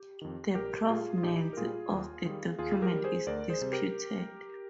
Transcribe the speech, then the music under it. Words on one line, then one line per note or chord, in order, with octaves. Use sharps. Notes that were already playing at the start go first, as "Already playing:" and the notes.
The provenance of the document is disputed.
Already playing: G4
F2 D#3
A#1 G4 A#4
A#2 G3 F4 G#4
F4
A#1 D#4 G4
A#4
A#2 G3 F4 G#4
D#2
D#3 G3
D#2 F4 G#4
G4 A#4
D#3 G3
G#4 C5
D2 A#4 D5
G#4 C5
C3 G3
G4 A#4